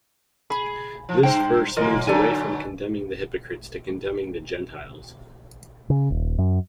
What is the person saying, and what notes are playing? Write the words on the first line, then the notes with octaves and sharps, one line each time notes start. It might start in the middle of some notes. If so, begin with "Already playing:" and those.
This verse moves away from condemning the hypocrites to condemning the Gentiles.
G#4 B5
F3
G2 C5 G5
F#2 A#3 F4 A#4 D#5
B2 D3 F#3 A4 D5 G#5
C#3
D#1
F#2